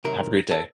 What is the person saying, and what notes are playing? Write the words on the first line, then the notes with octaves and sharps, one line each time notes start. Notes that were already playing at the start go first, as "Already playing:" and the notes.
Have a great day.
C3 D#3 F#3 A#4
A4